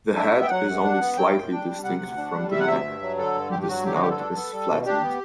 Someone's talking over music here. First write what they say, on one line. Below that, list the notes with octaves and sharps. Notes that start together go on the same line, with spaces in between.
The head is only slightly distinct from the neck, and the snout is flattened.
D4 E5
B3
G5
F#3 F#5
F#2
D4
B3
F#3 G5
F#2
D4
G3
C3 F#5
D2
D4
G3
C3 E5
F#5
D2 E5
G2
F#3
D3 A4
G2
G2 G4
G4
F#3 F#4
D3 G4
F#4
G2 G4
A4
D4
B3
G3
B2
D4 G4
B3